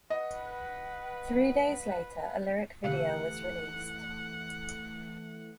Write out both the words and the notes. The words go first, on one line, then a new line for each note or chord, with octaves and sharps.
Three days later a lyric video was released.
B4 D#5 F#5
B2 D3 E3 A3 G4 F5 F#5